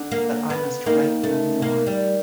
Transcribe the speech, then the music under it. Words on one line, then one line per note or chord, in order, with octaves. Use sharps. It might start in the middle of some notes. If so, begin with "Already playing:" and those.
But I must write no more.
Already playing: D3
A#3
B3
D#3 A#3
A3
A#3
G3